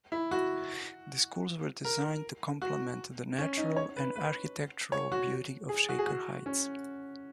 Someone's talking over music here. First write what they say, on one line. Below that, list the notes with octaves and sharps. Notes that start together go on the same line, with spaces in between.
The schools were designed to complement the natural and architectural beauty of Shaker Heights.
E4
F#4
A#4
F#4
C#4
D#4
C#5
B4
B4
C#5
F#4
G#4
F#4
G#4
F#4
C#4